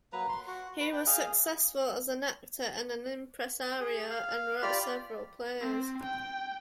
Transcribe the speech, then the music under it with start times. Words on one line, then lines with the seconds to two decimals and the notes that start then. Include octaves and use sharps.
He was successful as an actor and as an impresario, and wrote several plays.
0.13 F#3 A#3 B4 A#5
0.29 C6
0.47 F#4
0.80 B4
0.93 G5
1.07 G#4 D#5 F5
3.80 G#4
4.10 F5
4.62 F4 G4 D5 B5 F6
5.61 C4
6.04 G5